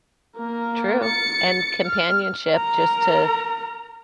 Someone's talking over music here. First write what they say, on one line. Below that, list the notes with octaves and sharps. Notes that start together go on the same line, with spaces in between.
true and companionship just to
A#3 A#4
A6 C#7
F6
A#4 A#5